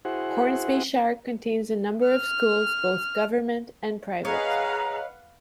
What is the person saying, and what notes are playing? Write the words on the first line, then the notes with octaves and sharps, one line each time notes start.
Hornsby Shire contains a number of schools, both government and private.
E4 F#4 G#4 C5 F#5
F6
G#4 B4 C#5 D#5 F5 F#5 A#5